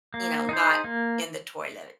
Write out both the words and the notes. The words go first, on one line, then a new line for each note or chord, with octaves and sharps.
you know, not in the toilet.
A#3
D#4 G#4 C5
A#3